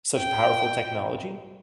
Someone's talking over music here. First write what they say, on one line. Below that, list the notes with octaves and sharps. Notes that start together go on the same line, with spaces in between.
such powerful technology
G5